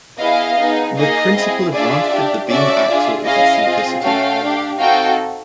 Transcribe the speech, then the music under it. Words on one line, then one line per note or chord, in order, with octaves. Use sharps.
The principal advantage of the beam axle is its simplicity.
B3 E4 G#4 D#5 F5
B3 D#4 G#4
A#3 D#4 G#4 D#5 F5
C4 E4 G#4
D4 F4 G#4 D5 E5
D4 G4
C#4 F#4 A4 D5 E5
D4 F4 G#4
C#4 E4 G#4 D#5 F5
C4 F4 G#4
A3 C#4 F#4 A4 F5 G5
D4 G4
C4 D#4 F#4 A4 F5 G5